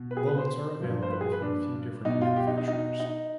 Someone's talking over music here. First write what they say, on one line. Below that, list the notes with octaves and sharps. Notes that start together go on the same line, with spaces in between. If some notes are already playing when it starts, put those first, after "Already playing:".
Bullets are available from a few different manufacturers.
Already playing: B2
B4
G#4
B4
C5
G2 F3
C5
B4
G#4
B4
D4
B2 D#4
F4
G4
D#4
D#4
D#4
D#4